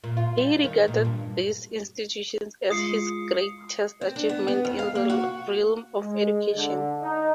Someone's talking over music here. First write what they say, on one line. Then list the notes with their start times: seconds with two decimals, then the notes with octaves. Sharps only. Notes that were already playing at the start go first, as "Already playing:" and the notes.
He regarded these institutions as his greatest achievement in the realm of education.
0.04 A#2
0.17 F4
0.38 G3
0.64 D#3
0.88 A#2
1.05 G2
2.70 G#3 E4 F4 D#6 C7 C#7
4.01 C4
4.16 D4
4.29 B3
4.48 B3
4.65 F2
4.79 F5
4.95 A#3
5.10 F#4
5.99 G#3
6.55 D3
7.02 D#4